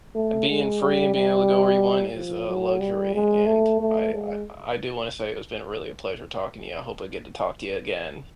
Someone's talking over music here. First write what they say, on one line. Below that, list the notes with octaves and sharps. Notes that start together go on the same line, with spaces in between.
being free and being able to go where you want is a luxury and I I I do wanna say it's been really a pleasure talking to you, I hope I get to talk to you again.
A3
G#3
G3
G3
F3
F#3
G3
G#3
A3
A3
G#3